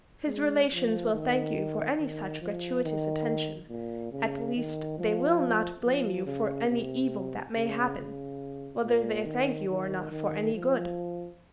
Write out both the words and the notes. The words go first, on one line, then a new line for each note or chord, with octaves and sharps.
His relations will thank you for any such gratuitous attention: at least they will not blame you for any evil that may happen, whether they thank you or not for any good.
G#3
F3
D#3
D#3
F3
D#3
A#2
C#3
D#3
F3
F3
C#3
C3
C#3
C#3
A#2
D#3
D#3
D#3
F3